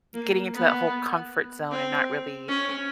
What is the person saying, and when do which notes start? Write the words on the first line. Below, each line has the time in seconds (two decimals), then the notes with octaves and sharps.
getting into that whole comfort zone, and not really
0.14 A#3
0.54 B3
1.71 C4
2.48 C#4